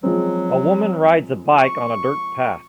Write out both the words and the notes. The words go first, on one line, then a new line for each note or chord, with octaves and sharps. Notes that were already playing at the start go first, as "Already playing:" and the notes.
A woman rides a bike on a dirt path.
F3 F#3 G#3 C4
C#6